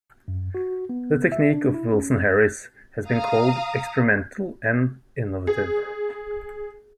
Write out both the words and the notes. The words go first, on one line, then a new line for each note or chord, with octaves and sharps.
The technique of Wilson Harris has been called experimental and innovative.
F#2
F#4
B3
E5
D4
E4
C#4
F5 A#5 D#6
G#4